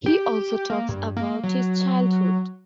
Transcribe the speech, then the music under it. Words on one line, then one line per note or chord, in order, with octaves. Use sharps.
He also talks about his childhood.
G4
A#3
G2
A#3
F#3